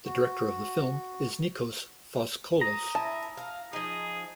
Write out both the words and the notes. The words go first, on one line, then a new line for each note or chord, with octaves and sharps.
The director of the film is Nikos Foskolos.
F#4
A#5 D#6
E4 A5
F5
F3 D#4 G#4